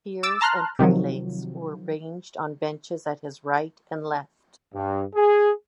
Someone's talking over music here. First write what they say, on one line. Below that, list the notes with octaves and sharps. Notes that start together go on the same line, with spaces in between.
Peers and prelates were ranged on benches at his right and left.
D6 E6 A6
A5 A#5 C6 F6 F#6
C3 D#3 F3 F#3
G2
G#4